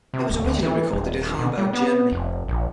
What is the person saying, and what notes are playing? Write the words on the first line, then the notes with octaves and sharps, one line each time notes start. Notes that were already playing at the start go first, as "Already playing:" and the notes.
It was originally recorded in Hamburg, Germany.
C3
D1
D2
E3
D#1
B2
G3
B3
F1
A#1